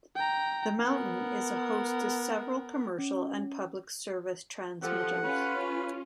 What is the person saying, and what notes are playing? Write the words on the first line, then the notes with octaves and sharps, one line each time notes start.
The mountain is a host to several commercial and public service transmitters.
G5 A#5
B3 A#4
C#4
F3 G4 A4 F#5 G5
C#4 F4 B4